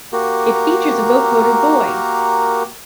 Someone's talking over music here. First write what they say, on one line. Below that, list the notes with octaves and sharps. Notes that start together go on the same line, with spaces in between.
It features a vocoded Boy!
A#3 F#4 G4 A#4